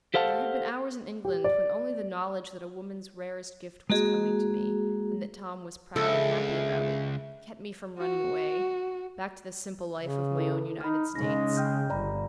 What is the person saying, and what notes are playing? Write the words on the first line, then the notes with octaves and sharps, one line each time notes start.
There had been hours in England when only the knowledge that a woman's rarest gift was coming to me, and that Tom was proud and happy about it, kept me from running away--back to the simple life of my own United States.
G4 A4 C5 F5 F#5 A5
G4
D5
G#3 A#3 F#4 G#4 D#5
C#2 D4 E4 F4 G#4 A4
F#4
C#3
E4 A4 B4
D#4 B5 F6
C#3 G#3 D#4 A#6
G5 F6 G6
G1 D5 A#5 B5